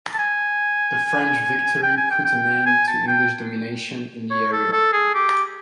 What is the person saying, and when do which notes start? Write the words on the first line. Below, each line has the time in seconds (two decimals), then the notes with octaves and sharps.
The French victory put an end to English domination in the area.
0.14 A5
0.18 G#5
1.83 G5
1.97 G#5
2.11 G5
2.25 G5
2.66 G#5
2.87 A5
3.08 G5
4.31 C#5
4.52 A4
4.72 A4
4.93 G#4
5.14 G4